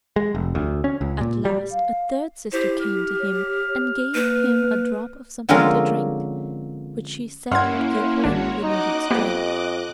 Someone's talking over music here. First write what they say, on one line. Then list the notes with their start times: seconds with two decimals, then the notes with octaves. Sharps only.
At last a third sister came to him and gave him a drop of something to drink, which she said would give him the needful strength.
0.16 G#3
0.35 F1
0.55 D2
0.84 C#4
1.01 C#2
1.21 A#2
1.45 G3
1.72 F5
2.53 E4 G4 C5
2.80 F6
3.20 C#5
4.14 A#3 B4
5.49 D3 F3 G#3 C4 C#4 A#4
7.51 G2 A#3 C#4 E4 F#5 C6 F6 G#6
8.24 G#1 D4 F#4 C#5
8.63 D#4 D#5 D6 F#6
9.11 F2 A#3 B3 G4